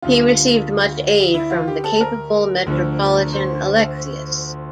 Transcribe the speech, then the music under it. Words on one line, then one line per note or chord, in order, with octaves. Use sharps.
He received much aid from the capable Metropolitan Alexius.
D2 D3 G3 F4
E4
F4
G4
A4
A#4
D2 D3 F3
C5